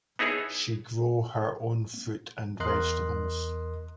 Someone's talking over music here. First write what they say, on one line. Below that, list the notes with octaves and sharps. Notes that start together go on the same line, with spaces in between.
She grow her own fruit and vegetables.
B3 D#4 E4 G#4 C#5
E2 A#4 D#5 C6 F#6